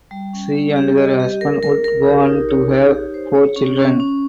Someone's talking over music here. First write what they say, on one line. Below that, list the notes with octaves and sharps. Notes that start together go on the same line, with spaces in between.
She and her husband would go on to have four children.
G3
C#4
G3
G4
D#5
G4
A#4
A#4
A#4
G4
D#4
C#5
G4
G4
C5
C#5
C#4
C#4
C#4